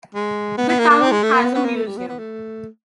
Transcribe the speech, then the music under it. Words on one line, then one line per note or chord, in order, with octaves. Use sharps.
The town has a museum.
G#3
B3
B3
A#3
A#3
C4
G#3
A3
A#3
B3
B3
A#3
A3
G3
B3
B3
A3